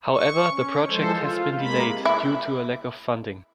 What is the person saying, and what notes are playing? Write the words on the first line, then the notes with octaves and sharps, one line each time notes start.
However, the project has been delayed due to a lack of funding.
C#6
C#4
E3 F3 G#3 A4 C5
F4
C3 G#3 A#3 B5
E4